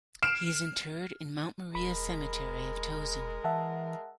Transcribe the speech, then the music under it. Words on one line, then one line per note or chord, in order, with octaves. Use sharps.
He is interred in Mount Maria Cemetery of Towson.
F6 C7 D7 E7
E1 G#3 A#4 B5
E3 E5 F#5 A5